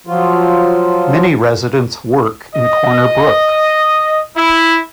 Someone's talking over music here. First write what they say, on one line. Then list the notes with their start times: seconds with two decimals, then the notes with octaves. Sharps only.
Many residents work in Corner Brook.
0.07 F3 F#3 F4
2.55 D#5
4.36 E4